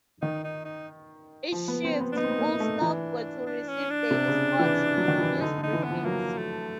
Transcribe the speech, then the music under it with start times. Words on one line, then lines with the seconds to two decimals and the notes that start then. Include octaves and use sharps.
Each shift, all staff were to receive daily sports news briefings.
0.22 D#3 D#4
0.44 D#4
0.65 D#4
1.52 F3
1.68 B3
1.85 C4
2.01 B3
2.12 D4
2.16 B3 D#4
2.24 C4
2.31 B3
2.38 A#3
2.60 A3
2.81 E3 D4
3.46 D4
3.68 C#4
3.90 D4
4.11 C3
4.28 C#3
4.59 E3
4.98 F#3
5.08 D#3
5.19 E3
5.41 D3 D#4
5.58 D3
5.63 D#4
5.73 E3
5.84 B3
5.89 F3
6.05 F#3 A#3
6.38 A3